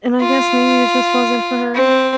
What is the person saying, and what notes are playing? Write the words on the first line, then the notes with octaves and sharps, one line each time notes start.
and I guess maybe it just wasn't for her.
F4
C4